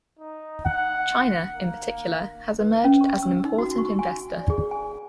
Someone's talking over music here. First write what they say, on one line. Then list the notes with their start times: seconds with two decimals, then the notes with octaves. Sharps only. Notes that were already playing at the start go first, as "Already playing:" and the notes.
China, in particular, has emerged as an important investor.
0.19 D#4
0.65 F#5
1.52 A#3
2.60 B4
2.84 C#4
3.01 C#6
3.23 E6
3.45 D#4
3.58 F#4
3.78 C#6
3.99 G#5
4.34 D5
4.50 G#4
4.71 G#5